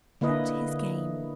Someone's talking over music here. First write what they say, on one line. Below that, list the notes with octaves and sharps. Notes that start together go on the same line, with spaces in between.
What his game?
D3 A#3 E4 B4 D#5